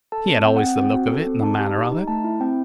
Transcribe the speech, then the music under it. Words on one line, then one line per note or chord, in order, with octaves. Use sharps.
'He had always the look of it, and the manner of it.'
A4 A5
C4
C4 G5
F#5
C4
F#5
C4 G5
F#4
A4
C4
D#4 A5
G4
D#4
D#4
A3 A5
E4
C4 G5